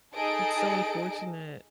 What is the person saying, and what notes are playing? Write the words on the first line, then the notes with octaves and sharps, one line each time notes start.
It's so unfortunate.
D#4 G#4 A4 D#5 A5 D7